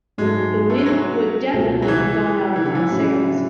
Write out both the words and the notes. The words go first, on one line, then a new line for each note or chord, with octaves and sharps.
The wind would definitely have gone out of my sails.
G#2 F#3 G#3 A3
A3
G#3
F#3
C#2 B2 A3
F#3
E3
E3
D3
E3
A2 F#3 C#4 E4
D3